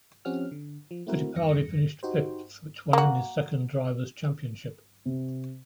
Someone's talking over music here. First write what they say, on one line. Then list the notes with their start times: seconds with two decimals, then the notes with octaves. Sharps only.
Fittipaldi finished fifth which won him his second Drivers' Championship.
0.25 F3 C4 C#4 G4 F#5 F6
0.52 D3
0.91 F3
1.07 A3 C4 E4 F#4 A#4
1.36 E2 G2 A#6 C#7
2.03 D#4 F#4 G4 C5
2.93 A#3 F#4
5.06 C3